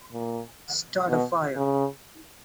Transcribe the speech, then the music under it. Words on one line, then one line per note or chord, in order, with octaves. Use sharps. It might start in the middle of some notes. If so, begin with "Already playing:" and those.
Start a Fire.
A#2
B2
C#3